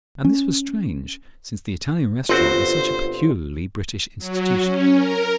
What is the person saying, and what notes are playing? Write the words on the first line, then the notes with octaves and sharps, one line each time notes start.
And this was strange, since the Italian restaurant is such a peculiarly British institution.
C#4
G1 C4 F4 F#4 C5
F#3
C#4
A#4